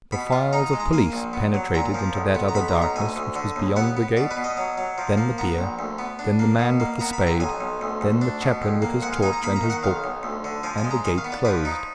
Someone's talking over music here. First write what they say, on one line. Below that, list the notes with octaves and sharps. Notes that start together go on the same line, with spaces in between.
The files of police penetrated into that other darkness which was beyond the gate; then the bier; then the man with the spade; then the chaplain with his torch and his book, and the gate closed.
B2 B5
F4
D#4 A#5
A#5
G#3
A#5
A#3 G#5
A#1
B3
F#3
A#2 A#5
F3
B1
B3
A#5
B1 B5
A#5
B2
A#5
D2 G#5
D2
D3
D#2
B3 F#5
B3
B2 D5
B4
B2
D#5
F#3
F#3
F3
A#3
B3 A#5
A#1
D2
B3
D4
A#3
B2
A#3
B3 A#5
B5
F2
A#5
B1 G#5
B1
D2
D2
D4
B2
F2
A#3
G#2 F#5
F5
D#4 G#5
A#5
A#3 B5
A#5
D#3
F#5
B1 F5
B1
D2
D3
F3 G#5
G#5
G#3
A#5
D#3 G#5
F5
B3
D5
F3 B4
D#4